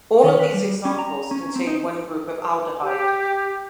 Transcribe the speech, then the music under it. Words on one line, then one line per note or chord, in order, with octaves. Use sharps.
All of these examples contain one group of aldehyde.
D#3
B4
G3
C#4
A#5
C#4
C4
D#4
G4